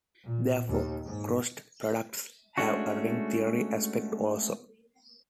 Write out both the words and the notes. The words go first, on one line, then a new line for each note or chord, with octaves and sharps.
Therefore crossed products have a ring theory aspect also.
A#2
D#2
G#2
G#3 A3 C#4 D4 F#4